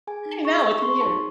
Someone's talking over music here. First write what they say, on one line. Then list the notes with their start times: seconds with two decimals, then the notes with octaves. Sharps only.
I know, it's weird.
0.07 G#4 G#5
0.26 D#4
0.45 G#4 C#6
0.64 G#4
0.79 C#6
0.82 G#4 C6
1.01 D#4 A5